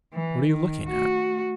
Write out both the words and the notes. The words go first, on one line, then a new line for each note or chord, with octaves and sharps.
"What are you looking at?"
E3
D#3
A3 F#4